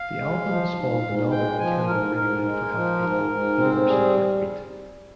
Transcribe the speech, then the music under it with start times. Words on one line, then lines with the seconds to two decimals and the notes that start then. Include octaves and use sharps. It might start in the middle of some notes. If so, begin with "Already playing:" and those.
The album spawned another alternative radio hit for Hatfield in "Universal Heartbeat".
Already playing: F5
0.17 G#3
0.46 F3
0.74 G#2
1.03 G#2
1.31 G#3 G5
1.59 F3 G#5
1.87 G#2 A#4
2.16 G#2 A#4
2.45 G#3
2.73 F3
3.01 G#2
3.30 G#2
3.59 C4
3.87 G3 G#4